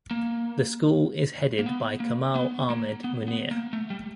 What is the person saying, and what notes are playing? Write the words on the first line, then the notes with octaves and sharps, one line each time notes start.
The school is headed by Kamal Ahmed Munir.
A#3
A#3
B3
A#3
B3
A#3
B3
B3
A#3
A3
G3